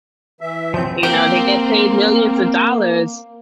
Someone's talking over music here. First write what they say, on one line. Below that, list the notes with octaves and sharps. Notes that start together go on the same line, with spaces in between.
you know, they get paid millions of dollars
E3 E5
F#2 F3 F#3 C4 G6
A#3 C4 G4 A#4